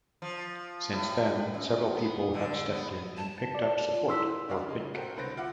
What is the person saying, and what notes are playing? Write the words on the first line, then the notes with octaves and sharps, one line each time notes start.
Since then, several people have stepped in and picked up support for Fink.
F3
A2
F#2
B3
D3
B3
A5
D5
F4
E4 C6 E6 B6
D4 F#4 C#5 D#5 F5
C#3 D#4 G#4
F#4 A4 A#4 C5 G5
C2 D3 B4 C5 A#6 D7
F4 E5 F#5 D6